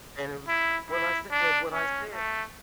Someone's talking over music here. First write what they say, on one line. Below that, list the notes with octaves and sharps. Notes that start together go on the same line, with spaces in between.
And it was when I sa and when I said
E4
E4
D4
C#4
A3